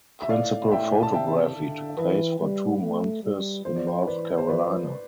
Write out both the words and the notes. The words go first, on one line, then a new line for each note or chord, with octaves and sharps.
Principal photography took place for two months in North Carolina.
E5
A2 D5 F5
A2 E5 G5
A5
C3 E5 G5
D3
E3 B4
G3
A3
G3
F3 C5
D5
C5
E3 B4 D5
C5
F3 B4 D5